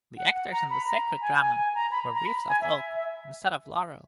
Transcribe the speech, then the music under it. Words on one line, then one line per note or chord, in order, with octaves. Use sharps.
The actors in the sacred drama wore wreaths of oak instead of laurel.
F#5
F#5
A#5
B5
A#5
G#5
G#5
G#5
A#5
B5
A#5
B5
G#5
E5
E5